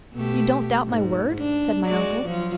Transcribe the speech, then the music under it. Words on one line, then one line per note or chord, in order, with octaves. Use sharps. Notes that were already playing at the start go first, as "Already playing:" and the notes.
"You don't doubt my word?" said my uncle.
B2 A3 G4
G#2
D4
G#3 F#4 D5
F3 F#3 F4